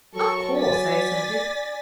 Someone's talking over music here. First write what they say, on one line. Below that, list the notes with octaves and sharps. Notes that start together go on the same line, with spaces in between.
'Of course,' I assented.
F#3 A4 A#4 C#6
D5 G#5 A6 B6